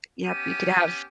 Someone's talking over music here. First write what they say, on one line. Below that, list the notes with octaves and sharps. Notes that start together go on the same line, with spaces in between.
yep, you could have
B3 C#4 G4 D#7